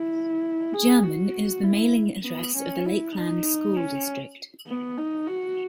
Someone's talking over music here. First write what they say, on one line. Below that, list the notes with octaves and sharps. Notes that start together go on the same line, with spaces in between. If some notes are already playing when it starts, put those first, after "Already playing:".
Jermyn is the mailing address of the Lakeland School District.
Already playing: E4
G#4
F#4
E4
B3
C#4
E4
D#4
C#4
B3
D#4
F#4